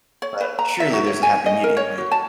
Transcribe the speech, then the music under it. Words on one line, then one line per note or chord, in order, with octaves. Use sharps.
But surely there's a happy medium, right?
C#5
B4
A#5
E5
F#4
C#5
G#5
D#5
A#4
C#5
F#4
A5